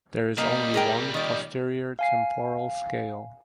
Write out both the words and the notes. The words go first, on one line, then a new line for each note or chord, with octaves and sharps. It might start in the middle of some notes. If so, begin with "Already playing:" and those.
There is only one posterior temporal scale.
A#2 G3 A#3 D#5
G#4 A#4 G5
D#3 D5 D#5
F5 G#5 C7